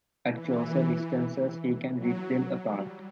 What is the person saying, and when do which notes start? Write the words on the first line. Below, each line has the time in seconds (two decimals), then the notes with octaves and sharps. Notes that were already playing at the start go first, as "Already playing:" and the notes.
At closer distances he can rip them apart.
0.25 E3
1.97 F#3
2.65 G3